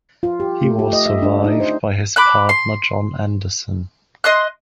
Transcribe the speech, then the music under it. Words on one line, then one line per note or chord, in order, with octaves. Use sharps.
He was survived by his partner John Anderson.
F4
G4
A3
G4
D#5
E5
D4
D#4
C5
B5 D6 F#6
C6
D#5 C6 F#6